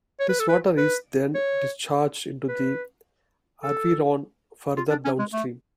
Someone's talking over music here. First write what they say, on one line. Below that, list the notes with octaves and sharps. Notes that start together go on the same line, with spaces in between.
This water is then discharged into the Arveyron further downstream.
C#5
B4
A4
B4
B4
C#5
B4
A4
F4
D4
C#4
G#3
A3